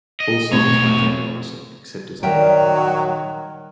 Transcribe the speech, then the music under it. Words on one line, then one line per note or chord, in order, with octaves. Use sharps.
All songs by Van Morrison except as noted.
D#5
E2 B2 A3 C4 C#5
D#3 F#3 G3 A#4 E5 G5